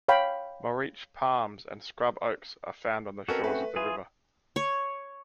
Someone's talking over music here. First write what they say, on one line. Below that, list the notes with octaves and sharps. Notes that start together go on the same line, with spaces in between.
Moriche palms and scrub oaks are found on the shores of the river.
C#5 F5 G5 B5
B2 C4 C#4 F#4 A4 A#4
A3 B4
E3 F4 G#4
C#5